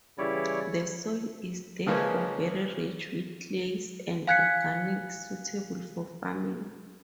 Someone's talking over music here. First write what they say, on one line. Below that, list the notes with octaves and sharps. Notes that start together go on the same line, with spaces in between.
The soil is, therefore, very rich with clays and organics, suitable for farming.
C#3 E3 G3 E4 C#5 D5
C#3 E3 F3 G#3 A#3 C#4
F5 G#5 F#6 G#6 B6 C#7